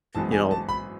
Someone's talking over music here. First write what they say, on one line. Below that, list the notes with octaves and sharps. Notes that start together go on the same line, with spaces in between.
you know,
G#1 F#2 E3 G#3 B3 A5
G#5
A5
B5